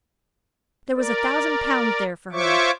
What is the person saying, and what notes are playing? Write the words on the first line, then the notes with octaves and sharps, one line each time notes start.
There was a thousand pounds there for her!
A#4 D5
F4 C5 C#5 E5 C#6 D6